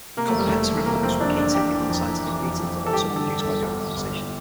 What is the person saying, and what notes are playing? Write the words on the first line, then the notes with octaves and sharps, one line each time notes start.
Comprehensive reports from key technical and scientific meetings are also produced by the organisation.
C3 A#3
A3
F1 G3
F1 A3
E3
C3 A#3
F2 C4
F2 D4
E3 D4
F1 G4
E3
F2
E3
E3
F2
F2
E3
A4
G2 G4
D3
A4
G2
A4
G1
G1
G1
G1
G1